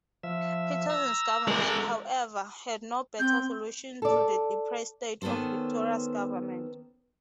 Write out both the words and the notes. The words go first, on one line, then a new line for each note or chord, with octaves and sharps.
Patterson's government, however, had no better solutions to the depressed state of Victoria's government.
F3 E5
A#5 E6
G#3 A#4
A4
C4 G6
A4 D5
D#3 B3 C#4 A4 C5